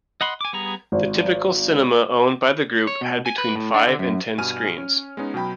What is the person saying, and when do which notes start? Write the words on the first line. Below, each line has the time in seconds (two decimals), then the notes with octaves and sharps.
The typical cinema owned by the group had between five and ten screens.
0.21 D#5 F#5 B5 C6
0.41 G#5 D6
0.53 G3 B3 G#4 A#5
0.92 G#1
2.87 C#5
3.01 B2
3.26 G#5
3.38 B4
3.55 A2
3.74 D4
3.87 D3
3.99 F#2
4.38 G2 B2 G#5 F6 D#7
4.78 C#4
5.17 G#3 B3 C#4 D#4
5.34 B2 F#3 G5 B5